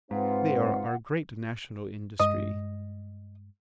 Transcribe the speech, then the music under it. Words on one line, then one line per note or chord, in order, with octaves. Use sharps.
"They are our great national industry."
G#2 C4 F4 B4 F5 F#5
G2 G#3 D#5